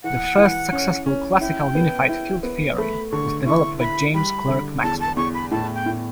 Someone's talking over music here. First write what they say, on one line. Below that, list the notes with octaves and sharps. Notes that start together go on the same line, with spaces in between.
The first successful classical unified field theory was developed by James Clerk Maxwell.
E3 F#5
E3
C#4
C#4
E4 G5
B3
E4
B3
A3 B5
D3 C#6
E4 C#6
E4 B5
G3 B5
D3
E2 A5
A5
E2 C#6
B5
A2 A5
G5
A2